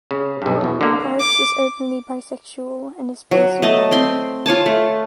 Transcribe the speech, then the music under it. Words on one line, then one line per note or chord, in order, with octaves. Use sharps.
Parks is openly bisexual and is based in London.
C#3
B1 G2
E2 B2
D3 A#3
D6
F#3
A3 D#5 A5
C4 G5 C6
F4 C#5 G#5 A5
A3